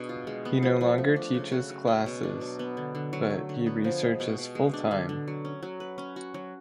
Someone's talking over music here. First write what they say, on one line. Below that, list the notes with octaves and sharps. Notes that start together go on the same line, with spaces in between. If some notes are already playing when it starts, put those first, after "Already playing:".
He no longer teaches classes, but he researches full-time.
Already playing: B2 D4 G#4
F4
G#3
B3
F3
F3
A3
D4
C#3
F#4
F#3
C#4
B2
D4
F#3
B3
D3
D3
F#3
A3
D3
B3
F3
G#3
B2
B2
G#3
D4
D3
D3
F#3
C#4
F#3
B4
C#4
F#4
F#3